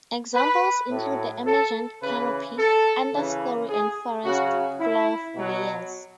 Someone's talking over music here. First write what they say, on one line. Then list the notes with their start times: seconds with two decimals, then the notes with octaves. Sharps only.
Examples include the emergent, canopy, understorey and forest floor layers.
0.35 B4
0.90 A2 F#3
1.46 A4
2.02 C#3 E3 B4
2.57 A4
3.13 C#3 E3
3.68 G#4
4.24 C#3 F#3 F#4
4.80 E4
5.36 B2 F#3